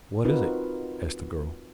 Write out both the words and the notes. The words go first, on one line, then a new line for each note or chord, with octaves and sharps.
"What is it?" asked the girl.
C4 D#4 F4 F#4 A#4 B4